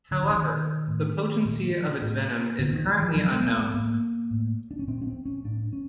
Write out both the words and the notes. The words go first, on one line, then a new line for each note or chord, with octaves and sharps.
However, the potency of its venom is currently unknown.
D3
E3
B2 D#3
A2
A#2
A2
A#2 D3
D#3
E3
F3
B2 F#3
G#3
A#3
B3
A2 A#3
A2
D4
C#4
A#2 C4
C#4
C4
C#4
A2 D4
C#4